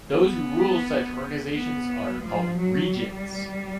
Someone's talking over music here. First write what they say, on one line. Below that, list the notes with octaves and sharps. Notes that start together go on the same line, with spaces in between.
Those who rule such organizations are called "regents".
B3
B3
F3
F#3
G3